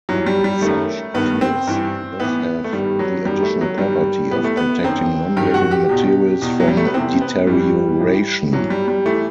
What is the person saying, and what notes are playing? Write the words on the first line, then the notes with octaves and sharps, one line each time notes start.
Such fields thus have the additional property of protecting non-living materials from deterioration.
G2 E3 F#3
G3
G3
F#2 D#3 A3
G2 D#3 B3
C4
G2 E3
A2 E3 B3
A3
G2 D#3 G3
F#3
F#2 D#3 G3
A3
F#3
G2 D#3 G3
A2 E3 B3
A3
B3
F#2 D#3 C4
G2 D#3 G4
F#4
G4
E2 B2
E2 B2
F#3
G3
A3
B3
E2 C3 E3 C4
B3
G2 E3 G3
A2 E3
G2 E3 F#3
G3
G3
E3 A3